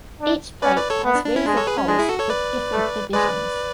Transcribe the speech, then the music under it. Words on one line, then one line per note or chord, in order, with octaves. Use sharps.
Each plate has rings of holes with different divisions.
D4
C#4 B4 D5
B4 D5
A4 C#5
B3
D4
D4
C#4 E4
G#3 D4
A4 C#5
G#4 B4
C#4
G#3 D4
E4 G#4
F#4 A4
A4 C#5
B4 D5
A3
G#3 B4 D5